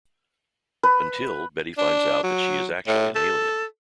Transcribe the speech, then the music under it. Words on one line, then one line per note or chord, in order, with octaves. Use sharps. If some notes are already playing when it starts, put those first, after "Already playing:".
Until, Betty finds out that she is actually an alien.
B4
D4
F#3
A2
A4